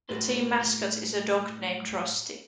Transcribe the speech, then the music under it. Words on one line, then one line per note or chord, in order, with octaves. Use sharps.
The team mascot is a dog named Rusty.
A2 F#4 A4 B4 C6